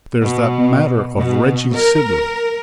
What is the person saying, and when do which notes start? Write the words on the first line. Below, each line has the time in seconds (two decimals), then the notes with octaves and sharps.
There's that matter of Reggie Sidley.
0.22 B2
1.17 B2
1.75 A#4